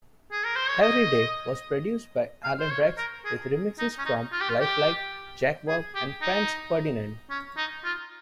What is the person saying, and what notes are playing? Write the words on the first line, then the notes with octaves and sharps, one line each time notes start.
"Everyday" was produced by Alan Braxe with remixes from LifeLike, Jakwob, and Franz Ferdinand.
G#4
A#4
C5
C#5
D#5
F5
C5
C#5
A#4
G#4
D#4
C#4
D#4
F4
G4
F4
G4
G#4
G4
D#4
C#4
D#4
F4